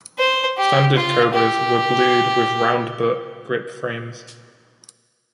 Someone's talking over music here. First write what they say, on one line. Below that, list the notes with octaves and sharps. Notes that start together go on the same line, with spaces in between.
Standard Cobras were blued with round-butt grip frames.
C5
G4
F4
G4